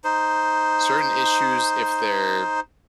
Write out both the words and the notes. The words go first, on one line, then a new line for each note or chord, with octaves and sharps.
certain issues, if they're
D#4 C5